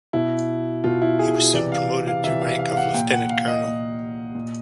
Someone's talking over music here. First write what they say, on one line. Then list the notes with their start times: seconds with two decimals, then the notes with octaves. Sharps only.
He was soon promoted to rank of Lieutenant Colonel.
0.13 B2 E4
0.84 B2 F4
1.02 E4
1.19 G#4
1.54 C3 E3 D5
1.72 F5
2.07 F5
2.24 C3 E3 E5
2.42 F5
2.59 F5
2.72 F5
2.77 F#5
2.94 A#2 G5
3.12 F#5
3.30 F5
3.48 D#5
3.65 A#2
4.35 A#2